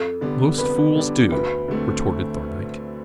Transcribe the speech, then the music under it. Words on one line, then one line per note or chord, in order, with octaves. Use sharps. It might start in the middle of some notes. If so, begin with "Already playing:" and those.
"Most fools do," retorted Thorndyke.
Already playing: F2 A4
D3 G3 B3 D4
F2 B4
D3 G3 B3 D4
D2 B4
D3 A3 C4